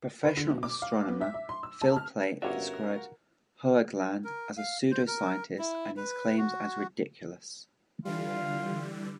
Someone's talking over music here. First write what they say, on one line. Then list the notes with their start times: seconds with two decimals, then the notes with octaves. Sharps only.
Professional astronomer Phil Plait described Hoagland as a pseudoscientist and his claims as ridiculous.
0.23 B4
0.37 D3
0.50 B2
0.63 D6
0.82 F5
1.08 B3
1.21 E5
1.34 E5
1.49 C6
1.63 E6
1.81 A5
1.96 F6
2.42 G1 C#4 F#4 A#4 C#5 D5 E5 F5
4.24 A#4
4.57 F5
4.91 C5
5.07 A#4
5.59 E4
5.97 B4
6.37 F#4
8.05 D3 E3 G3 F4